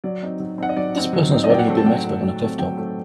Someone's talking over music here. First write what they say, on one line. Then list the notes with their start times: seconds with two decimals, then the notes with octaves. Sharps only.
This person is riding a BMX bike on a clifftop.
0.04 F#3 D5
0.23 C4 D#4
0.40 F#3
0.58 C4 D#4 F#5
0.69 D#5
0.77 F#3 D5
0.95 C4 D#4
1.13 F#3
1.32 C4 D#4
1.44 D#5
1.50 F#3 D5 G5
1.59 F#5
1.68 A3 C4
1.77 A5
1.86 F#3 G5
2.04 A3 C4
2.23 F#3
2.41 A3 C4
2.59 F#3 G5
2.77 A3 C4